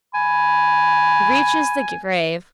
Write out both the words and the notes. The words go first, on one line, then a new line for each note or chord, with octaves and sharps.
He reaches the grave.
G#5 B5